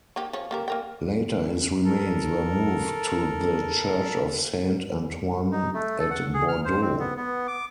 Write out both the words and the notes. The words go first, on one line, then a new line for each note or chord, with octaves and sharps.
Later his remains were moved to the church of Saint Antoine at Bordeaux.
A#3 D#4 G4
F3 C#5
A#3 G4 A#4
A#3 A#4 G5
A4 A#4
D#4
A3
A4
F#5
G#4
F6
C5
C4
B3
B3
D6